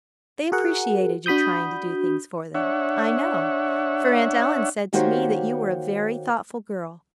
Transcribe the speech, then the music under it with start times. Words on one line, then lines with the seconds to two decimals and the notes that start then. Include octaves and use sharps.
They appreciated your trying to do things for them, I know, for Aunt Ellen said to me that you were a very thoughtful girl.
0.52 F#4 G#4 A#4 F#5
1.26 D4 F#4 B5 D#6 G6
2.55 D4 C#5 E5 F#5
4.93 D#3 A#3 F#4 G4 C5 C#5